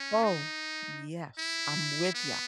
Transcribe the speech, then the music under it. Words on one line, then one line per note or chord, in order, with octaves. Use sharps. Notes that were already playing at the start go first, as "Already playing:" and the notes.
Oh, yes, I'm with ya.
Already playing: C#4
D#4
E4
B3